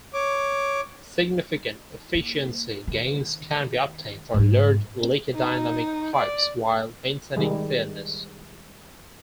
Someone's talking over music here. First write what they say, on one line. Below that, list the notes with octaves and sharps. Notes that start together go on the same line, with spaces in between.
Significant efficiency gains can be obtained for large leaky dynamic pipes, while maintaining fairness.
C#5 D6
A#3
D#3
G#2 G3
D#4
D5
D#3 G3 G#3